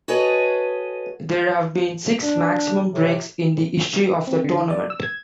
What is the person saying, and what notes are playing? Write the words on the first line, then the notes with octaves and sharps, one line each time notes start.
There have been six maximum breaks in the history of the tournament.
F#4 G#4 A4 B4 C#5 D#5
D4
A2 C3 D#3
C4
D3
E4
D5
E6
G#6